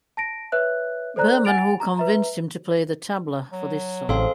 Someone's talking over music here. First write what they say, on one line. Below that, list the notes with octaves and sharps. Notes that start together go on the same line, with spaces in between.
Burman who convinced him to play the tabla for this song.
A5 A#6 D7
B4 C#5 E5 F#6
A4 C5 D5 A#5 F#6
F#5 G#5 A6 D7 F7
A#5
B4 E5 A#5
F#3
A1 G#3 C4 A4 F5 C6